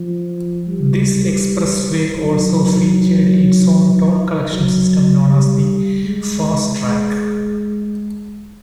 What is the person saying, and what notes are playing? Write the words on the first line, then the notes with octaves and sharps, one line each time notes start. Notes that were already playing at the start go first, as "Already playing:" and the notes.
This expressway also featured its own toll collection system known as the "FasTrak".
Already playing: F3
G3
F#3
F#3
G3
G#3
G#3